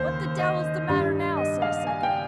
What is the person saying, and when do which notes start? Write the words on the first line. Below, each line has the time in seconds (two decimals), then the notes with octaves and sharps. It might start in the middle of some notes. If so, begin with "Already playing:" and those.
"What the devil's the matter now!" said a second.
Already playing: D#2 C#3 C5
0.39 D#5
0.88 G2 G3
1.37 D#5
1.62 F5
1.87 G#5
2.03 G5